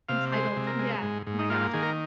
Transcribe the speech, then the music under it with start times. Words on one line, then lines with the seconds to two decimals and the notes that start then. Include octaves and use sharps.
Entitled, yes, oh my gosh.
0.09 C3 F5
0.32 G#3 C5
0.57 C3
0.67 A#4
0.79 G#3
1.02 G#2
1.27 G#2
1.39 D#4
1.49 A#3 F4
1.73 D#3 G#4
1.83 A#4